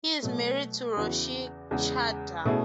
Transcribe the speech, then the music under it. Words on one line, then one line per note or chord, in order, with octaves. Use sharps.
He is married to Roshi Chadha.
B2 F#3 A3
E2 C#3 E3 B3 F#4
E2 C#3 G#3
B2 A3 C#4 E4 G#4